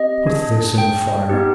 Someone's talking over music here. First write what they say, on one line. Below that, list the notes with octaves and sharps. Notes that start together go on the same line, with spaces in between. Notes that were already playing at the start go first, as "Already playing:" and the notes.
"Put this in the fire."
Already playing: C4 G4 D#5
D4 G#4
G5
B3 D#4 G4